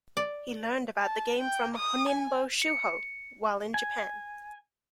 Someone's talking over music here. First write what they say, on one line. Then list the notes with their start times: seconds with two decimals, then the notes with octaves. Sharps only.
He learned about the game from Honinbo Shuho while in Japan.
0.17 D5
1.00 A5
1.39 G5
1.75 D#6
2.09 G#5
2.62 C#7
3.74 G#5